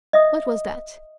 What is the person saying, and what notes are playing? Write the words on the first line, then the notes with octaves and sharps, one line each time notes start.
What was that?
D#5 E5 D#6